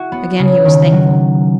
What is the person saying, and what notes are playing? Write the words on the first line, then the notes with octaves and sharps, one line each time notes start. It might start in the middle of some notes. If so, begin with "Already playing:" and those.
Again he was thankful.
Already playing: E4 F#4
B3
C#3
D#3
F#3